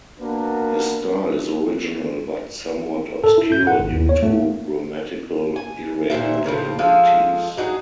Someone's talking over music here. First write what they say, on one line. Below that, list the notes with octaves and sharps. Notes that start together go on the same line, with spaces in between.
His style is original, but somewhat obscure due to grammatical irregularities.
A#3 B3 D4 F#4 A#4 B4
A4
E4
G6
F#5
G#1
D#2
C#5
A3
G#5
A#2 F#3 C5 E5
A2 C#3 F3 C4
F3 G#3 A4 F5
F#3 D#4 F#4 G#4